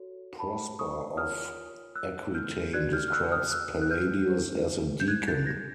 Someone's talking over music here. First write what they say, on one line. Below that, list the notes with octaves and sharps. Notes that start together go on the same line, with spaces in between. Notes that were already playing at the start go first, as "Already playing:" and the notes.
Prosper of Aquitaine describes Palladius as a deacon.
Already playing: F#4 A4 C#5
A5 B5
C#6 D#6
F4 A#4 C#5 D#6 F6
E6 F#6
F6 G6
D4 F#4 B4 D5 F#6 G#6
F6 G6
F6
E6 F#6
D#6 F6
E6 F#6
F#6
F6 G6
G4 C5
G6
F#6 G#6
G6 A6
G#6 A#6